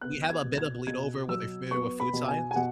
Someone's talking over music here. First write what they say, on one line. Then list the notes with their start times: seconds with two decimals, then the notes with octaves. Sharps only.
we have a bit of bleed over with are you familiar with food science?
0.01 B3 F#6
0.30 G#6
0.44 B2
0.58 G#6
0.87 B2 G#6
1.28 F#3 E6
1.71 B3 C#6
2.00 B5
2.13 B2
2.28 G#5
2.51 G#5
2.56 B2 F#5